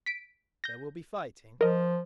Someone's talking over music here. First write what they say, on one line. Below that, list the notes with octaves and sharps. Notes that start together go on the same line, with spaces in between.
There will be fighting.
B6 D7
G6 A#6
F3 A#4 D#5